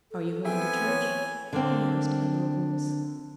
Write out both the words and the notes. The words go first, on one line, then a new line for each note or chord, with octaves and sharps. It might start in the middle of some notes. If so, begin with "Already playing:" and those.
'Are you going to church?' he asked in a low voice.
A4
E3 B3 C4 G#4 E5 G5 G#5
C#5
D3 A#3 C4